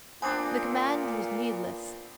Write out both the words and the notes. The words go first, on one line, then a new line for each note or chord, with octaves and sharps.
The command was needless.
A#2 B3 C4 D4 G#5 D6